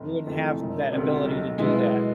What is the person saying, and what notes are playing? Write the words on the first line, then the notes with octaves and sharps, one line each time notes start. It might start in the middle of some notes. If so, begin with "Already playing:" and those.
You wouldn't have that ability to do that.
Already playing: F1
F2 E3 A3
E1
D2 C3
B1
B2 G#3 B3 E4